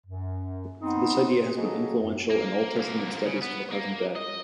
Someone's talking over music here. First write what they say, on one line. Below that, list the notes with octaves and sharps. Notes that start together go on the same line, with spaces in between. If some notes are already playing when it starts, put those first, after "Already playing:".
This idea has been influential in Old Testament Studies to the present day.
F#2
B3 C4 D#4
F#3 A#3 F#4 G#4 A4 D#5
F#2
A#3
C2 A#3
C#3
B3
A#3
D#5